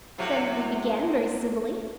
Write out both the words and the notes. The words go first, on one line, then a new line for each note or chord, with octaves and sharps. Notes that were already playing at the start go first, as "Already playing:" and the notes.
Then we began--very civilly.
A2 C3 F#3